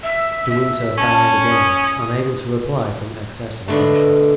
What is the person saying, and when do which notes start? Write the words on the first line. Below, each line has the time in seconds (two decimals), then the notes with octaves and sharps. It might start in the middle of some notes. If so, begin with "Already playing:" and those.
De Winter bowed again, unable to reply from excess of emotion.
0.03 E5
0.49 E5
0.98 C#4 A5
1.51 D#6
3.68 B2 D3 A3